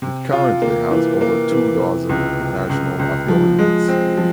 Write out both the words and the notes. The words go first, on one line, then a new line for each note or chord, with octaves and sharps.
It currently has over two dozen national affiliates.
C3
F4
A#3
E3
A#3
E3
C3
C#2
C3
C#2
C#2
F3
G#3
C4
F3